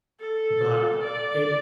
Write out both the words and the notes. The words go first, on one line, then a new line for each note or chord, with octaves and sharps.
But it
A4
D5